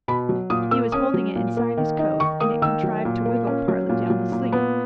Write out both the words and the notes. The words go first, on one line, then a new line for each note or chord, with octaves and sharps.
He was holding it inside his coat, and it contrived to wiggle partly down the sleeve.
B2 B5
F#3
A#2 D#6
A#3 E6
C#4 D#6
F#3
A#2
A#3
D#3
D#4
D#3 C#6
A#3 D#6
D#3 E6
F#3
A#2
A#3
C#4
F#3
A#2
F#3
A#2
B3